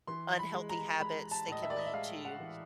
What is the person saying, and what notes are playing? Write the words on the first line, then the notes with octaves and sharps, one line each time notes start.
unhealthy habits, they can lead to,
E3 C6
B5
G#3
A#5
G#3 B5
A5
A2 D#5
E5
D5
D#5
E5
G#3 F5
F#5
E3